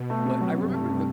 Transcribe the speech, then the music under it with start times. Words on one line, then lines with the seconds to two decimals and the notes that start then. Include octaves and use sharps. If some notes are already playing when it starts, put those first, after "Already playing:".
But I remember the
Already playing: B2
0.10 A3
0.25 C3
0.41 F#3
0.57 G2 C3
0.74 A3
0.90 C3